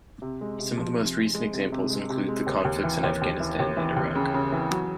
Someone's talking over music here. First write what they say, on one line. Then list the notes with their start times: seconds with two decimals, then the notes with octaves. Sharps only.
Some of the most recent examples include the conflicts in Afghanistan and Iraq.
0.22 C3
0.41 G#3
0.59 C3
0.78 F3
0.96 C3
1.16 C3
1.35 G#3
1.53 C3
1.72 C3
1.90 G#3
2.10 C3
2.28 G#3
2.47 D#2
2.65 D#2
2.84 E3
3.03 D#2
3.21 D#2
3.40 E3
3.59 D#2
3.77 E3
3.96 D#2
4.15 C#3
4.34 C#3
4.52 E3
4.71 F#3